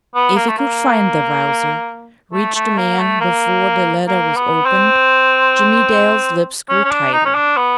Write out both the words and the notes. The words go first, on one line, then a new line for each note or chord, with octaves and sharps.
If he could find the Wowzer, reach the man BEFORE THE LETTER WAS OPENED--Jimmie Dale's lips grew tighter.
B3
A#3
A3
A#3
A3
A3
A#3
A3
A#3
A#3
B3
C4
C#4
C#4
D4
D#4
C#4
D4
B3